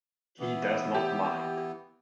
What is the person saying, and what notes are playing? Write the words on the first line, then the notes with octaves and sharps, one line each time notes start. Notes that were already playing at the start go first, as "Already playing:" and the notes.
He does not mind.
E3 B3
G4